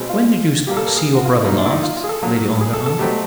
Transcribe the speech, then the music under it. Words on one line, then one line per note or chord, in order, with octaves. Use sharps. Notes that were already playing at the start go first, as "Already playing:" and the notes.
"When did you see your brother last?" Lady Ongar asked.
Already playing: B2 G#3 C4
F4
A#2 G3 A#3 G4
A4
A#4
G#4
F#4
F4
E4
B2 F#3 A#3 D#4
D4
E4
D#4
F4
F4
G#4
A4
A#2 F#3 A#3
G#4
A4
A4
B2 F#3 A3 C4 G4